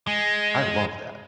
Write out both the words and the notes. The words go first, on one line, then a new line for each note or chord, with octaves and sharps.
I love that.
G#3